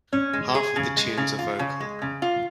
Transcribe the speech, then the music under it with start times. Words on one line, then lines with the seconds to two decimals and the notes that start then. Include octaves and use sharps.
Half of the tunes are vocal.
0.13 C#4
0.33 G#3
0.55 G#4
0.76 C#3
0.97 G#3
1.18 C#3
1.39 F4
1.59 C#3
1.80 G#3
2.02 C#3
2.22 F4